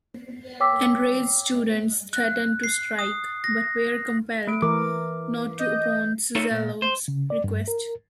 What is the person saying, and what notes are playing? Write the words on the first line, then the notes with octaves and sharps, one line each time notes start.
Enraged students threatened to strike, but were compelled not to upon Suzzallo's request.
C#5 G5 D6 E6 B6
F#6
C7
D#6
A#6
A3 D7
E3 A#4 D6
D#5 G6
D#4 F4 A4 C#5 E5
A#2
C5
C#3
D5
G2
A#4